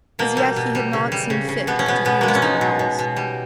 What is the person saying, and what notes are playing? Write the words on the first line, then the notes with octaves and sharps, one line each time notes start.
As yet he had not seen fit to use the rowels.
B2 A#3
G3
B2
G3
C#3
G3
C#3
C#3
B2 B3
C#4
B2 B3
B2 B3
G#3 A#3
B3
C#4
B2 D#4
B2
B2
B2
G3